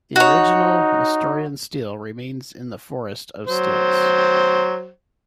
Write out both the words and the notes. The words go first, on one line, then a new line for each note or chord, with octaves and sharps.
The original Nestorian Stele remains in the Forest of Steles.
D#4 F#4 C#5
F#3 C5